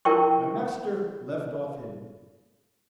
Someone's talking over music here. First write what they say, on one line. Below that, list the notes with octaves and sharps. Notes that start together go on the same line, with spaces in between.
My master left off hitting me.
E4 A#4 G5 C#6